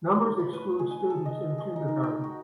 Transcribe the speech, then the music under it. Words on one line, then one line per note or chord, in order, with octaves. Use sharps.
Numbers exclude students in kindergarten.
A2
B5
B4
G#4
G#5
A4
D#5
G#4
D#4
A#4
G5
F#4